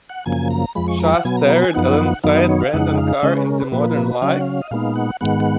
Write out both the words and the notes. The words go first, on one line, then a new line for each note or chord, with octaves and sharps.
Shah starred alongside Brendan Carr in the Modern Life?
F#5
F#2 C#3 F3 A#3 G#5
A#5
F2 F3 G#3 B5
C#6
A#5
F#5
B2 F#3 B3 G#5
A#5
A#5
G#5
F#2 F3 B3 D#4 F#5
F#2 D#3 F#3 B3 D#4 F5
D#5
C#5
F5
F2 C#3 G#3 D#4 F#5
F5
C#3 G#3 C#4 D#5
B4
A#4
B4
A#2 F3 A#3 B4
C#3 F#3 C#4 F5
F#5
F5
D#5
A#2 G#3 B3 D#4 F5
F#5
G#2 D#3 G#3 B3 F#5